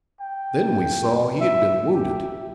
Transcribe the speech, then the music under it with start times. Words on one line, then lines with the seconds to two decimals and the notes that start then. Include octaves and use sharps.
Then we saw he had been wounded.
0.21 G5
1.41 E5
1.95 G4